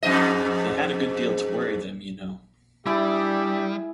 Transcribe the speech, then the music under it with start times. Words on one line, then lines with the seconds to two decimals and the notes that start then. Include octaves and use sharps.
They had a good deal to worry them, you know.
0.03 F2 G#2 D#5
2.86 G3 D4 E4 G4 G#4 D5 E5